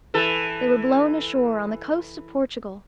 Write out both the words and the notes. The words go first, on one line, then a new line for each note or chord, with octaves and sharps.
They were blown ashore on the coast of Portugal.
E3 A4